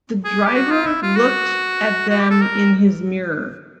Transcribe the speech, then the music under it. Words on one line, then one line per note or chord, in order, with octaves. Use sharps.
The driver looked at them in his mirror.
G#4
G4
F#4
F4
E4
F4
F#4
F#4
G4
A4
A#4